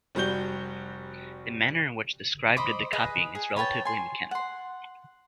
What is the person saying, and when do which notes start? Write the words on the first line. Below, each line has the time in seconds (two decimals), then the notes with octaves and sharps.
The manner in which the scribe did the copying is relatively mechanical.
0.15 F1 G3 F#4 G6 G7
2.57 C5 D#5 B5 D6
2.93 G#4 B4 D#5 D#6
3.35 G#4
3.56 B4 C#5 G5 A5
3.85 G#5 C6
4.31 F#5 C6